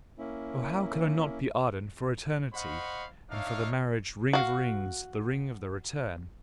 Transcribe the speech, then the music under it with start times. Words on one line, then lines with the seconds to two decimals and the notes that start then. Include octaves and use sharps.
Oh, how could I not be ardent for Eternity, and for the marriage-ring of rings--the ring of the return?
0.18 A#3 C#4 E4
2.54 C5 D#5 F5 F#5 B5 C#6
3.31 D4 D#4 C#5 E5 F5
4.33 F#4 F5